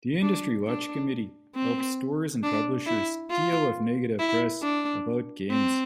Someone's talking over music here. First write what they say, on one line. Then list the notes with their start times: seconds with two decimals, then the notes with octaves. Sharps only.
The Industry Watch Committee helps stores and publishers deal with negative press about games.
0.23 D4
0.67 D4
1.55 C4
2.43 D4
2.86 E4
3.31 F4
4.19 E4
4.62 D4
5.51 C4